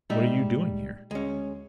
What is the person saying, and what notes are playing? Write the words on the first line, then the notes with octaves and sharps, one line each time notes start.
What are you doing here?'
A#2 G3 G#3 D#4 E5
D2 G#3 C#4